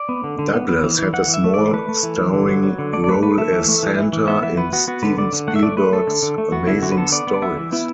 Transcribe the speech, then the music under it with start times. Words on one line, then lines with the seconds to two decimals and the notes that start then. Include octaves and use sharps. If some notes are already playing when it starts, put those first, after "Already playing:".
Douglas had a small starring role as Santa in Steven Spielberg's "Amazing Stories".
Already playing: D5
0.09 B3
0.24 D3
0.39 D3
0.54 B3
0.69 B3
0.83 E3
0.99 E3
1.13 E3 F#5
1.28 E3
1.34 E5
1.44 A3
1.54 E3 D5
1.73 A3 B4
1.89 A3
2.03 E3
2.18 E3
2.33 D3
2.48 F#3
2.63 F#3
2.79 D3
2.93 A3 D5
3.04 D5
3.08 A3 B4
3.23 A3 B4
3.38 A3 E5
3.52 E3
3.68 A3
3.83 E3
3.98 E3
4.13 E3
4.28 B3 E5
4.43 E3 E5
4.57 B3 B4
4.73 B3 F#4
4.88 B3 F#4
5.03 D3 B4
5.18 D3 D5
5.33 D3
5.48 A3 F#5
5.56 E5
5.63 A3 D5
5.77 A3 B4
5.92 A3 A4
6.07 D3
6.22 D3
6.38 A3
6.52 B3 F#4
6.67 D3 E4
6.82 D3 F#4
6.92 B4
6.97 B3 A4
7.12 B3 D5
7.27 B3
7.34 D5
7.42 B3 E5
7.57 E3
7.72 B3 E4